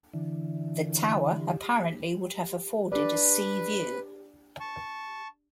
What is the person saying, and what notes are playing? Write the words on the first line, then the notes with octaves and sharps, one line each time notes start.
The tower apparently would have afforded a sea view.
D3 E3
D4 G4 B4 D5
A5 C#6